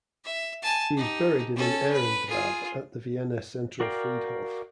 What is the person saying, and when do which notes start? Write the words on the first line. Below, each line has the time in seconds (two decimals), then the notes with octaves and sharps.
He is buried in an Ehrengrab at the Vienna Zentralfriedhof.
0.24 E5
0.62 G#5 A5
0.97 D#4 G4
1.56 C#4 A4
1.92 B4
2.28 F4 G#4
3.80 F#4 A#4 D5 F5 G5